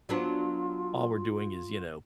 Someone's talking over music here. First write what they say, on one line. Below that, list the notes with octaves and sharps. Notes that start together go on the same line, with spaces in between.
All we're doing is, you know,
F#3 B3 D4 F4